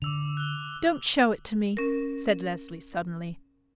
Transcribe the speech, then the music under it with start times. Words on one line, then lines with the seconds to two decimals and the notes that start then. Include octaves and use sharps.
"Don't show it to me," said Leslie suddenly.
0.02 D3 D6 E6 F7
0.37 F#6 G7
1.77 C#4 A#4